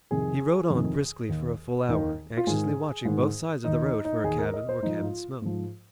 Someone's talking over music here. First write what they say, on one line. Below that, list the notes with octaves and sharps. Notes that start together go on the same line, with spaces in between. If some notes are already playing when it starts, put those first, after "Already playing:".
He rode on briskly for a full hour, anxiously watching both sides of the road for a cabin or cabin smoke.
F2 C3 D#3 G#4
F2 C3 D#3
D#2 D#3
D#2 D#3
F4
G#2 D#3 G#4
G#2 D#3
D#2 D#3 D#4
D#4
D#4
D#2 D#3 G#4
A#4
D#5
C5
G#2 F3 D#4
F4
G#2 F3